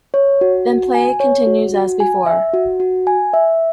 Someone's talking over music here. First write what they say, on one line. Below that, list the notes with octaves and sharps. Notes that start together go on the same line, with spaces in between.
Play then continues as before.
C#5
F#4
F#4
G#5
C#5
F#4
F#4
G#5
E5
F#4
F#4
G#5
E5